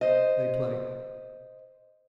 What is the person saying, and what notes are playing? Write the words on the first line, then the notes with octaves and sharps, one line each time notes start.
They play.
C5 D#5